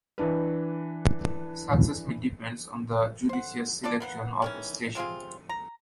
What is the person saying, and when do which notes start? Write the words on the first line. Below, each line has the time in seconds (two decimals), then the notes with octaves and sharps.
Success mainly depends on the judicious selection of a station.
0.18 E3 D4 B4
3.29 C5 F#5
3.84 D4 F4 A4 D5
4.00 A#3 B3 F#5
4.42 D#3 E3 C#4
4.95 C3 C4 F4 G#4
5.49 A#5